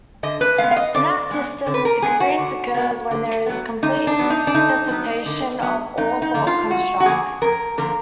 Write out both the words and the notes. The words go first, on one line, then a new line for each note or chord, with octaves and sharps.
In that system, this experience occurs when there is complete cessation of all thought-constructs.
D3 D#5
B4
G#3 B3 F5
F5
D#5
D3 D5
G#3 B3
D3
B4
A#4
G#3 B3 G#4
F#4
D3
G#3 B3
D3
F#3 B3
D3 D#4
D4
F#3 B3
D#4
D4
D3 D#4
F#3 B3
D3
F#3 B3
F2 D#4
D#4
D3 F3 A#3
F4
F2 F#4
F#4
D3 F3 A#3 G#4
F2 A#4
D3 F3 A#3 A#4